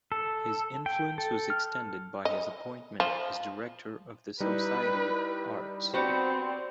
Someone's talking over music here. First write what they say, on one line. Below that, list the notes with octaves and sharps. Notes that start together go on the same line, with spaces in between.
His influence was extended by his appointment as director of the Society of Arts.
A4
G5
A4
F6
D#5
F3
G3 D#4 E4 B4
B3 C4 F#4 G4 C5 D5